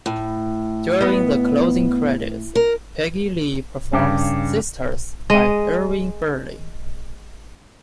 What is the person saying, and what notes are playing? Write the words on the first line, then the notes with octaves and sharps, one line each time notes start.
During the closing credits, Peggy Lee performs "Sisters" by Irving Berlin.
A2
B3 D#5
A#4
G2 C#3 G4
G#3 D#5